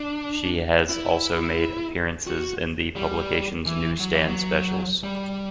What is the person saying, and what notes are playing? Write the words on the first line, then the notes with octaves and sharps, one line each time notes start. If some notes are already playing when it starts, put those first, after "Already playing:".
She has also made appearances in the publication's newsstand specials.
Already playing: D4
E4
F#4
G3
E3
F#3
E3
F#3
G3